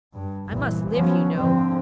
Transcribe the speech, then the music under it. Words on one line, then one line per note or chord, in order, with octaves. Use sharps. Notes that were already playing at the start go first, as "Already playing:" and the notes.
I must live, you know!
G2
G1 C2 A#2 E3
F3 F#3 B3 C#4
G#2 D3 F3 C4